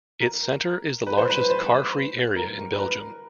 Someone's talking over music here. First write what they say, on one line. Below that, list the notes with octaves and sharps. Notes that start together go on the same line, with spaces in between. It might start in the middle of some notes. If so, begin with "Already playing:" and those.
Its centre is the largest carfree area in Belgium.
A#4
B4
C5
B4
C5
A#4
B4
A#4